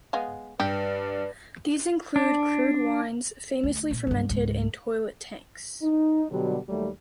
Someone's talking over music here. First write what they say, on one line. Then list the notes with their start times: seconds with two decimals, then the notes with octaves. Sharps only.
These include crude wines, famously fermented in toilet tanks.
0.13 G#3 B3 F5
0.60 G2 G4 B4 D5
2.16 D4
3.63 D2
3.91 A#2
4.07 C#2 G2
4.29 C#2 G#2
5.82 D#4
6.30 B2 D3 F#3 G3
6.68 D#2 F#3 G3 A3